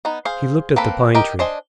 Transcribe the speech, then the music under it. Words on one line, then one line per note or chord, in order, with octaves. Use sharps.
He looked at the pine-tree.
B3 D#4
G#4 C5 F5
A#3 C4 A4 B4 B5
G4 A#4 D#5
D4 C5 D#5 G#5